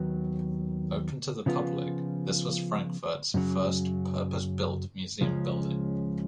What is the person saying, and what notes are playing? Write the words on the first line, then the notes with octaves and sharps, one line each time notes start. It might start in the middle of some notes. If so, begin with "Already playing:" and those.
Open to the public, this was Frankfurt's first purpose-built museum building.
Already playing: D#2 D#3 F#3 B3
C#3 F3 B3 F4
F#2 C#3 F#3
C#2 C#3 F3 G#3 C#4